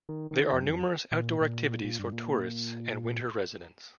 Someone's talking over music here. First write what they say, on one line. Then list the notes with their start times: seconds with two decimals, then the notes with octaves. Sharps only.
There are numerous outdoor activities for tourists and winter residents.
0.09 D#3
0.31 D#3
0.53 F2
0.62 G2
0.69 F2
1.12 A#2
1.41 A#2
1.84 A#2
1.99 G2
2.13 A#2